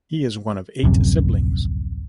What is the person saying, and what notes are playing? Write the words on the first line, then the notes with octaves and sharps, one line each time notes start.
He is one of eight siblings.
D1 A#1 F#2 C3